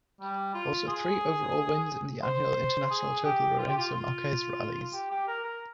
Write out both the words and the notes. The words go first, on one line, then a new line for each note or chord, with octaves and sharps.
Also three overall wins in the annual International Total Lourenco Marques Rallies.
G3
F4
G#4
C5
G#4
G4
F4
G4
F4
F4
G4
G4
A#4
A#4